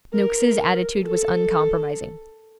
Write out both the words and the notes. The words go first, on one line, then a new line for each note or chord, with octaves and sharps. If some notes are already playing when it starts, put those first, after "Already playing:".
Noakes's attitude was uncompromising.
A#4
A4